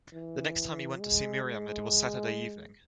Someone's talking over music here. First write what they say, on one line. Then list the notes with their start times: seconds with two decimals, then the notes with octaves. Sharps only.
The next time he went to see Miriam it was Saturday evening.
0.13 E3
1.00 G#3
1.44 G#3